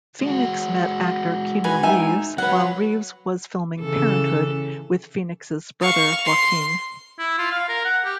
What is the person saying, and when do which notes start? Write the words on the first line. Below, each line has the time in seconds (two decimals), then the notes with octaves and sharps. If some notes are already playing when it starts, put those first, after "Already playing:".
Phoenix met actor Keanu Reeves while Reeves was filming "Parenthood" with Phoenix's brother, Joaquin.
0.21 G#3 F#4
1.64 D#4 B4 G#5
1.83 D#4 E5 G#5
2.38 F#3 B4 F#5
3.81 C#3 E3 A4
5.81 F5 C#6
6.25 C6
7.19 E4
7.38 F4
7.52 F5
7.69 A#4
7.85 F#5
8.05 G4